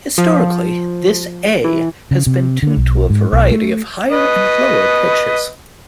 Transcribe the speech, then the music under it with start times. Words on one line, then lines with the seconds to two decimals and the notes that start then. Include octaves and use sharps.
Historically, this A has been tuned to a variety of higher and lower pitches.
0.18 F3
1.64 E3
2.11 C#3
2.27 C3
2.63 D3
2.77 B1
3.10 G#2
3.33 B1
3.52 A3
4.11 B4 D#5